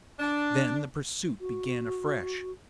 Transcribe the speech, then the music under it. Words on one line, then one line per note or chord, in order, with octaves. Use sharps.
Then the pursuit began afresh.
D4
F#4